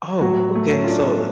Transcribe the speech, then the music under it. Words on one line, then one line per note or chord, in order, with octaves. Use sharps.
oh, okay, so it
A2 F#3 F#4
A3
C#4
F4
D4